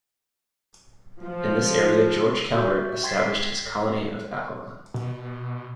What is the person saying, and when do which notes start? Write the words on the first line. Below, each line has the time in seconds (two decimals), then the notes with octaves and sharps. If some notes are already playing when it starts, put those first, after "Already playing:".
In this area George Calvert established his Colony of Avalon.
1.24 F3
2.54 F#4 E5 G6
3.03 G5 C6 G#6 A6 B6 C7
4.94 B2